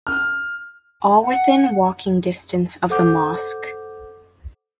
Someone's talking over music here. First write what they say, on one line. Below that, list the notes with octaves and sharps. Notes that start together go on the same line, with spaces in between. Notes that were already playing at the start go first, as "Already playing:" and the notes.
All within walking distance of the mosque.
F6
F#5
A4 C5 F#5 D6 G6